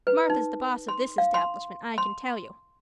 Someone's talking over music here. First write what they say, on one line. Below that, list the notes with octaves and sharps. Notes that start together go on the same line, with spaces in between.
Martha's the boss of this establishment I can tell you.
B4
D#4
C6
F5
C6
C6